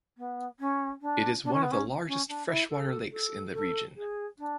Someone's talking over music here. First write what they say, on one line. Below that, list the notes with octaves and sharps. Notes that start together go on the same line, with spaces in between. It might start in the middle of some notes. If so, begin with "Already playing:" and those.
It is one of the largest freshwater lakes in the region.
B3
C#4
D4
D4
C#4
B3
C#4
C#4
D4
E4
A4
A4
A4
G#4
D4